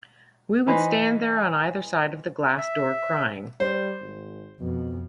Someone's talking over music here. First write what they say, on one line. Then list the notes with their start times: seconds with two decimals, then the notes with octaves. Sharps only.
We would stand there on either side of the glass door crying.
0.67 E3 D#4 B4 C5
2.58 E5
3.60 G3 C5
4.01 G#1
4.60 F2 B2 F3